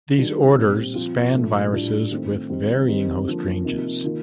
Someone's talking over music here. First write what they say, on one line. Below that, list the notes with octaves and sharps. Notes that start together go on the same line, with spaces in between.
These orders span viruses with varying host ranges.
D#3 G3 D4 F4
A#2 G3 C4
F3 C4 F4
A#2 F3 A3 D4
A2 G3 D4 F4
D#3 A3 C4 F4
D#3 G3 C4 D#4
D#3 G3 C4 D#4
D3 F3 A#3
C3 F3 A#3 D#4
D#3 A#3 F4